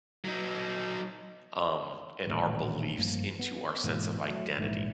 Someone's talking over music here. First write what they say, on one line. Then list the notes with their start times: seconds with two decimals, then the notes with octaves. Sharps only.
um, and our beliefs into our sense of identity.
0.25 F#3 D#4
2.27 D#1 A1 A2 F#3
2.98 A1 G2 F3 A#3
3.39 B3
3.84 G#2 B2 E3 A#3
4.26 F#3 A3
4.57 A#1 G#2 E3